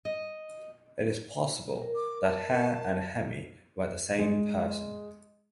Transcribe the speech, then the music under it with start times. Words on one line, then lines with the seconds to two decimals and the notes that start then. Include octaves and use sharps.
It is possible that Hare and Hemi were the same person.
0.05 D#5
1.82 A#4
1.95 D6
2.24 A5
4.19 G#3